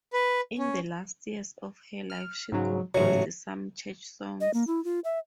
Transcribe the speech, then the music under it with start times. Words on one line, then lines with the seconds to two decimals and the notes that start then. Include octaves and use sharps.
In the last years of her life she composed some church songs.
0.13 B4
0.59 C#4
2.10 F6
2.52 G#2 C#3 F#3
2.95 A1 G#2 C#3 F#3
4.40 D#5
4.54 A#3
4.67 E4
4.85 F4
5.04 E5